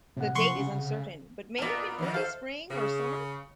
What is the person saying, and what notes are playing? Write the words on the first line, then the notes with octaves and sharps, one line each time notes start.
The date is uncertain, but may have been early Spring, or summer.
A2 C3 F#5
F3 C6 C#6
C#3
A#2 A#3 B3 A#4 E5
D#3 F3 F#4
A4 C5 F5
C#3